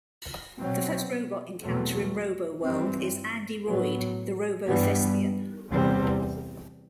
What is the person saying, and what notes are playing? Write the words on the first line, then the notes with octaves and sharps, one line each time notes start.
The first robot encounter in Roboworld is Andy Roid, the Robothespian.
B2 F#3 C4
E2 B2 F#3 A3 C4
G2 E3 G3 C4
A2 F#3 B3
G2 E3 G3 B3
E2 C3 G3 C4